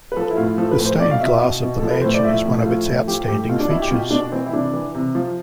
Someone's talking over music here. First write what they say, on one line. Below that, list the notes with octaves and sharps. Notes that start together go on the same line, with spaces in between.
The stained glass of the mansion is one of its outstanding features.
B4
F3 A4
E4
A2 F4
F3 A4
B4
A2
C5
B2 D5
F5
B2 E5
B2
B2
F3 A4
B4
A2 C5
D5
F3 E5
A2
F3 F4
A2
F3 G4
A2 G4
B2 F4
D4
B2 E4
G4
B2 F4
B2 D4
E3 C4
E4
C3 D4
E3
C3
F3